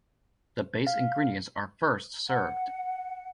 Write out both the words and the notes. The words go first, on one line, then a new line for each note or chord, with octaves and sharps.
The base ingredients are first served.
F5
F#5